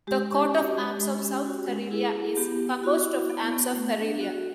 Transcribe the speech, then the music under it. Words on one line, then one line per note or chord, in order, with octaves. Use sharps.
The coat of arms of South Karelia is composed of the arms of Karelia.
G#3 G4
C#4
F#4
G#3
G#3
C#4
F#4
G#3
E4 G#4
E4
B3 G4
B3
E4 F#4
E4
B3
B3
A3
D4
F#4